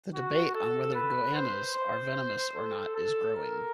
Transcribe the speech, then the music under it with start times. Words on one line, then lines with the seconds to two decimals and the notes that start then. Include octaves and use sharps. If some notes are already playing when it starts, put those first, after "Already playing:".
The debate on whether goannas are venomous or not is growing.
0.14 F#4
0.54 A4
0.95 B4
1.35 C5
1.75 C5
2.55 A4
2.96 A4
3.36 A#4